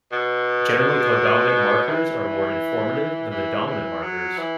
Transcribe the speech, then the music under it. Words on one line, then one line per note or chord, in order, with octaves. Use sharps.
Generally co-dominant markers are more informative than the dominant markers.
B2
E3
E3
E3
F#3
E3